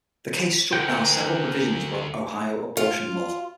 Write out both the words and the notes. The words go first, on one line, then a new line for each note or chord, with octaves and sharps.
The case struck down several provisions of an Ohio abortion law.
D2 A#4 F#5 G5
F4